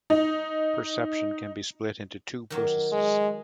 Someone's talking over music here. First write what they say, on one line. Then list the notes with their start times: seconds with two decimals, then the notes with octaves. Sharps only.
Perception can be split into two processes.
0.10 D#4
2.50 D#3 F#3 A#3
2.92 G#3